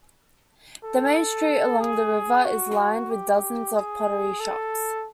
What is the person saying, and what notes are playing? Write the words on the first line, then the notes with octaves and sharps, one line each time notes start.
The main street along the river is lined with dozens of pottery shops.
A4
G#4
F#4
G4
G#4
A4